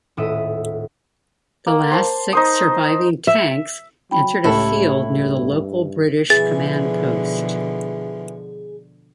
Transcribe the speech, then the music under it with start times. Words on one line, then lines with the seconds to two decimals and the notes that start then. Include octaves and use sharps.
The last six surviving tanks entered a field near the local British command post.
0.17 D#1 A2 E4 E5 D#6 D#7
1.67 A#3
1.91 C5 A5
2.33 D#4 C5 D#6
3.27 E5
4.11 F#3 G5 B5
4.44 C#2 A2 E4 G4 A4
5.11 G2
6.30 B2 D3 E3 F3 G#4 A6